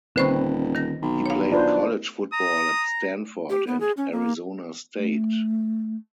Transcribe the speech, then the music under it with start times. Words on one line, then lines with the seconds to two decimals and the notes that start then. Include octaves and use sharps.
He played college football at Stanford and Arizona State.
0.16 D#1 D3 C4 B4 C5 C#6
0.75 D#3 A#6
1.02 B1
1.26 C#5 F5
1.52 D4 F4 B4 C5
2.33 A#5 D#6
3.50 G4
3.67 B3
3.80 G#4
3.97 C#4
4.12 A#3
4.96 A3